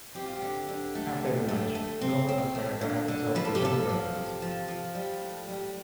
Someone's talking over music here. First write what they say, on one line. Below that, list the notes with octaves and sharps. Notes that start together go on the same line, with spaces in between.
After the match, Knoble and Karagias assault the Jung Dragons.
C4 G4
F4
G4
D3
D3
A3
D3
A3
A3
C4
C4
A3
D3
D3
F3 B4
A4
G4
F3 A4
F3
C3
F3
F3
G3
A2
G3